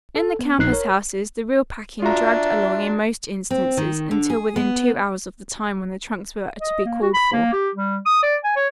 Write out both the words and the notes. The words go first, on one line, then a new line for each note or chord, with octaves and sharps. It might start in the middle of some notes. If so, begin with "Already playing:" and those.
In the campus houses the real packing dragged along in most instances until within two hours of the time when the trunks were to be called for.
A4
B3
A#1 D#4 F#6 C7
A#4 C#5
D4 F4 F#4 E5 A#5
C4
D#3
D3
G#4
B3
D#5
A#3
F#4
B5
A#3
G4
G3
D#6
D5
G#5
C#5